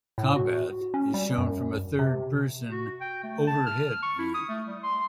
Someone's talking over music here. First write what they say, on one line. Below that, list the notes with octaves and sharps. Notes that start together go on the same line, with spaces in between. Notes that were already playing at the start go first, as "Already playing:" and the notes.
Combat is shown from a third-person overhead view.
A2
F#4
C#4
G3
F#2
C3
F#4
G5
A3
A5
F6
C#6
E4
D#6
A3
G3
C6